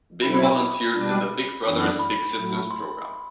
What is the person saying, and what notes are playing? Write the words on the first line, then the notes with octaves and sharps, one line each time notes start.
Bing volunteered in the Big Brothers Big Sisters program.
B2 F#3 C4 E4 B5
B5
B5
B5
B2 G3 D4
F#2 E3 B3 D4
B5
A2 F#3 A3
C6